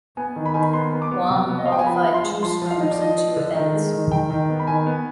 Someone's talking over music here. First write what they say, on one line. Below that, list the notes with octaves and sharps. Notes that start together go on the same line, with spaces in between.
Guam qualified two swimmers in two events.
B3 G#5
D#3
B5
D#3 G#5
B5
B3 C6
B3
D6
B3
C3
B3
D#5
F5
B3 G5
G#5
F3 B5
F3
C6
G#3
F3 C6
F3
F5
F3 D#5
D5
F3 D#5
F3
D3
D#3
G#3
D#3
D#3 G5
D#3
B3
B5
D#3 G#5
B3